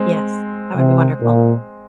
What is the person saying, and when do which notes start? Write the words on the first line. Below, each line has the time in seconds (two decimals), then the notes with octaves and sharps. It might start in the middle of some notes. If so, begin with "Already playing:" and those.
Yes. That would be wonderful.
Already playing: G#3 C4
0.76 C3
1.22 A#2